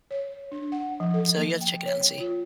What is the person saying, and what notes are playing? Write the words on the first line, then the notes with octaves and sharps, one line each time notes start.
So you have to check it out and see.
C#5
D4
F#5
F3
A4
A#3
G5
C#5
F4